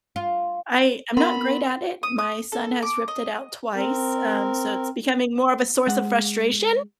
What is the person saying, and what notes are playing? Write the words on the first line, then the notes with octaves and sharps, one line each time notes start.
I I'm not great at it. My son has ripped it out twice, um, so it's becoming more of a source of frustration,
F4
B3 A#4 F#5 B5 C6
D#6
D#6
A4
D6
D#5
C4 A#4
G#3 F#5